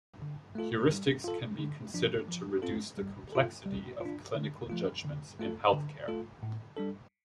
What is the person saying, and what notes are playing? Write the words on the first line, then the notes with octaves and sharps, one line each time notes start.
Heuristics can be considered to reduce the complexity of clinical judgements in healthcare.
D3
A3 F4 A4
G3
F4 A4
D3
F3 D4
F3
C4 F4 A4
G3
F4 A4
G3
F4
D4
D3
F3 A3 F4
D3
A3 F4 A4
D3
A3 F4 A4
A2
G3 D4 A4